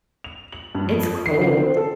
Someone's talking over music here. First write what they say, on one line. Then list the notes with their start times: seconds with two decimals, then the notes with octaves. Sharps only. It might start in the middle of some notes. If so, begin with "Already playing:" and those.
It's cold.
0.24 F7
0.52 F#7
0.75 G2
0.92 F2
1.26 C7
1.38 C#3
1.57 C4
1.77 A4